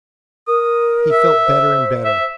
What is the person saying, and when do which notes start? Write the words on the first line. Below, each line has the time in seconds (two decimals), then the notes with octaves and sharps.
He felt better and better.
0.48 A#4 D#6
1.12 E5
1.46 C5
2.04 E5